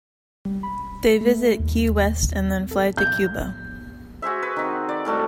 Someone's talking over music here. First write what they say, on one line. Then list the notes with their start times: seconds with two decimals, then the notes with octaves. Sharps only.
They visit Key West and then fly to Cuba.
0.45 G3
0.63 B5
1.21 A3
1.59 D#2
2.71 A4
2.97 G6
4.22 F#4 G#4 C5 E5
4.43 B4
4.56 D#3 C4
4.89 D5
5.05 A2 G3 A3 F#4